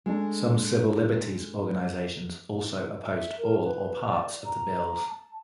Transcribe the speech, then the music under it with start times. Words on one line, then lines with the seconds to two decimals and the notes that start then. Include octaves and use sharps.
Some civil liberties organisations also opposed all or parts of the bills.
0.06 G#3 A3 D4
3.10 E5
3.38 A#4
3.63 B4
4.05 D5
4.45 A#5
5.09 A5